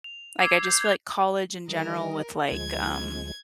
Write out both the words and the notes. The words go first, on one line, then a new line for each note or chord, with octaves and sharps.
Like, I just feel like college in general with, like, um,
F7
D6 E6 G#6 C7
D6 G6 C7
G#6 F7
D#3 G3 A#4 D#5
D2 F3 G#3 G#6